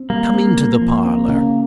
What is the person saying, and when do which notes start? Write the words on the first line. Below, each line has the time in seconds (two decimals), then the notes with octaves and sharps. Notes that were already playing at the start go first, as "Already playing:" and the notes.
Come into the parlour.
Already playing: C4
0.10 G3 A#3
0.34 C4
0.57 G3
0.82 F3
1.05 C4
1.28 C#3